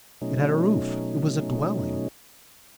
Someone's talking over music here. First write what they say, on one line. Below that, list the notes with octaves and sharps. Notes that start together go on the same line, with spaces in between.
It had a roof--it was a dwelling.
B2 F#3 A3 C#4 D#4